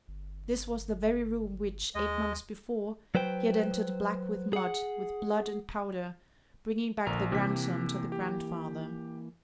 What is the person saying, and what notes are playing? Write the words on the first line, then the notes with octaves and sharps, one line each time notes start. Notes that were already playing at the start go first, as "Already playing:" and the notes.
This was the very room which, eight months before, he had entered black with mud, with blood and powder, bringing back the grandson to the grandfather.
G1
D#2 G#3 D#5
F#3 B4 C5 G5
G#4 F#5
A#1 D3 A#4
C3 E3 A#3 G4 B6
G4